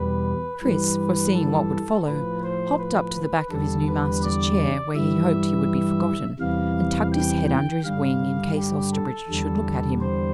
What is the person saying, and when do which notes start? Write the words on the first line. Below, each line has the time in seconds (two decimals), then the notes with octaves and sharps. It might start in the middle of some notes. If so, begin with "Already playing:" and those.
Chris, foreseeing what would follow, hopped up to the back of his new master's chair where he hoped he would be forgotten, and tucked his head under his wing in case Osterbridge should look at him.
Already playing: E2 B2 G3 B4
0.62 G2 E3 G3 B4
1.34 A4
2.07 A2 F3 B4
2.43 C5
2.78 B4
3.14 B4
3.50 E2 D3 G3 A4
3.87 B4
4.23 D5
4.95 G2 E3 G3 E5
6.39 E2 C3 E3 G3 F5
7.12 G5
7.47 G5
7.84 G2 D3 G3 F5
8.57 G4
8.93 A4
9.29 E2 D3 G3
10.01 C5